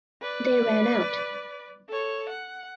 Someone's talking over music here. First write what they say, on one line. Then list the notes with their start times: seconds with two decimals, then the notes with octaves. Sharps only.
They "ran" out.
0.22 B4 D5
1.89 A4 C#5
2.30 F#5